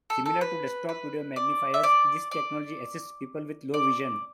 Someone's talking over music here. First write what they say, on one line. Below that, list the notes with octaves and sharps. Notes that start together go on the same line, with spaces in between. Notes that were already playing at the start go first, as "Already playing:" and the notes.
Similar to desktop video magnifiers, this technology assists people with low vision.
A4
A4
B4
B4
D5
E5
D5
D5
D5